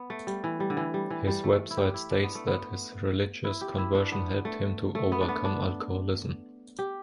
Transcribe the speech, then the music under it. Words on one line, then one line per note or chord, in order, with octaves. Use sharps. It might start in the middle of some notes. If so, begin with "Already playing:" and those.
His website states that his religious conversion helped him to overcome alcoholism.
Already playing: B3
A3
G3
E3
G3
D3
E3
G3
E3
G3
A3
E4
G4
E4
D4
B3
A3
B3
E4
G4
E4
D4
B3
A3
A3
B3
D4
B3
D4
G4